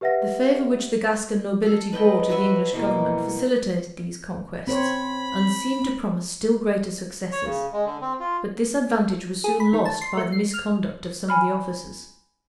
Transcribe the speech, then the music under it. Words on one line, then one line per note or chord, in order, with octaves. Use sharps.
The favor which the Gascon nobility bore to the English government facilitated these conquests, and seemed to promise still greater successes; but this advantage was soon lost by the misconduct of some of the officers.
G4 B4 E5 F#5 A#6
A4 F5
B4 D#5 G5 A5
F#4 B4 E5
B2 E3 A#3
C4 C5 C#5 B5
C#5
C#3
G#3
D3
C4
F4
G#4
B5
D#3
A5
C6
A3
C7
F6
G#5 B5 F6